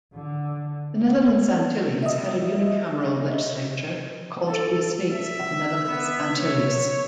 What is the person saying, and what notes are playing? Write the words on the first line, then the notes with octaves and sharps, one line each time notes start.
The Netherlands Antilles had a unicameral legislature called the Estates of the Netherlands Antilles.
D3
D#5 E5
A4
E5
B3
C#5